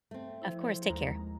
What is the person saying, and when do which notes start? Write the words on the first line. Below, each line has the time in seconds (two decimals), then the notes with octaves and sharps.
Of course, take care.
0.11 A3 C4
0.42 F3 E4 C5
0.90 D#2 G#3 A#5